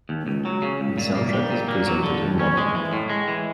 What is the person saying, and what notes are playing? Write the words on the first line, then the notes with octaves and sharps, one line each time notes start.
The soundtrack is presented in mono.
D#2
C#2
F#3
C#3
C#2
A#2
A#3
G3
A#2
A#3
F#3
D3
D#2
C#4
G#3
E3
A2
G#3
E3